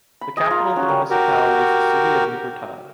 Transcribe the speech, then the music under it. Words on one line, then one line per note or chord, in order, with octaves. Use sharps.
The capital of the municipality is the city of Libertad.
B5
G#4 D#5
F4 A#5
C#4 F#4
G3 A#4
F#4 G4 A#4